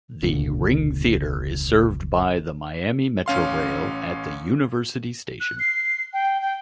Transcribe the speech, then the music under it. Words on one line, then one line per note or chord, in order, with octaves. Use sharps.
The Ring Theatre is served by the Miami Metrorail at the University Station.
E1 C#2 A#2 D3
A1 C#4 F5 C6
F#6
C7
G5
G5